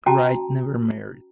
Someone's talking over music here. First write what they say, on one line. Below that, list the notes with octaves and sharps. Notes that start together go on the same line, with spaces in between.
Wright never married.
C#4 F#4 G5 A5 A#5